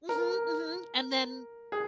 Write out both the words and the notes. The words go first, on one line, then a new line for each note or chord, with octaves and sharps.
Mhm, mhm, and then
A#4
G#4